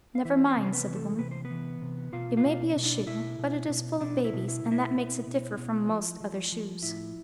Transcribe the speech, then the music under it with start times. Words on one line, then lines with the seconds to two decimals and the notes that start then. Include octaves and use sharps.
"Never mind," said the woman; "it may be a shoe, but it is full of babies, and that makes it differ from most other shoes."
0.15 F5
0.25 E3 E4 E5
0.48 C4 C5
0.57 C3
0.63 C5
0.73 B3 B4
0.87 E3
0.95 A3 A4
1.19 C3 B4
1.31 C5
1.45 B3 B4
1.51 E3
1.82 C3
2.13 B2 F4 F5
2.37 F4 F5
2.45 B2
2.76 B2
2.83 D4 D5
3.07 B2 E4 E5
3.39 B2
3.69 B2
4.01 B2 D4 D5
4.24 E4 E5
4.33 B2
4.48 E4 E5
4.64 B2
4.71 E4 E5
4.95 B2
5.27 B2
5.57 B2
5.89 F3
6.21 F3
6.52 F3
6.83 A2 E4 E5